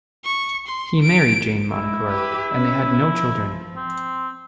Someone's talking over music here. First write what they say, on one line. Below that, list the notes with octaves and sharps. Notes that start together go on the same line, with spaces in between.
He married Jane Moncure and they had no children.
C#6
C6
D7
G#2 G#3 E4
G4 B4
C#4 B4
F3
C4